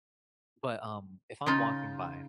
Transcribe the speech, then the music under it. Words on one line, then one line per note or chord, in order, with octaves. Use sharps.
but, um, if I'm walking by,
C#3 D#4 F4